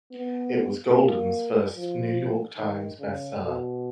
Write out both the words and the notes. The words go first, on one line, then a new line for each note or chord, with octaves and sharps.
It was Golden's first New York Times bestseller.
B3
A#3
F3
D#3
C#3
B2